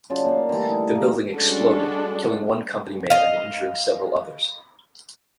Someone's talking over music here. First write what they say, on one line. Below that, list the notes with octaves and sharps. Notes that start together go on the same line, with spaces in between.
The building exploded, killing one company man and injuring several others.
C#3 F#3 D4 F4
A#3 D4 D#4 F5
D3 E3 G3 A3
D#4
A#3 A#4
G3 G#3 C#4 D4 F#4 A4
D#5 F5